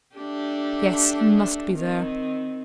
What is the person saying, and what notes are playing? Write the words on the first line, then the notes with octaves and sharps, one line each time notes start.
Yes, he must be there.
A3 D4 G4
D#3 C4